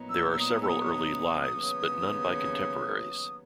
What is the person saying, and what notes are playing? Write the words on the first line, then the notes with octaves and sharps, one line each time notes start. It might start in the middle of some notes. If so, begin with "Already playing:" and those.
There are several early "Lives", but none by contemporaries.
Already playing: A#2 F#3 B3 D#4
E6
E6
D#6
E6
D#6
D#2 C#3 F#3 B3